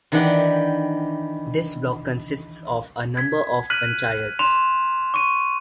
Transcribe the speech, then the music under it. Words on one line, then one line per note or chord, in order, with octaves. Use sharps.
This block consists of a number of panchayats.
D#3 E3 D4 G4 F#5 G5
G#6 B6
F6 F#6 B6 D#7 F#7
C6 E7 F7
C#6 D#7